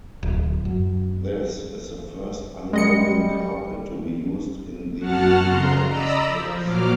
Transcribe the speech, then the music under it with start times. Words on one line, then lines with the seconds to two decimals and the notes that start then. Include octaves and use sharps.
This is the first unloading carpet to be used in the United States.
0.23 D1
0.65 F#2
2.73 G3 G#3 D#5 C#7
4.97 F#2 F#3 F#5 A5 F6
5.45 C#3 A#5 C6
5.87 D5 D#5 A#5 B5 E6
6.26 F3
6.61 A#2 F#3 A#3 D6 F6